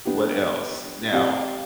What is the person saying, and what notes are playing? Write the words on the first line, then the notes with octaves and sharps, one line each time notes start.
what else? Now,
B3 D4 G4
C4 G4 D5 F5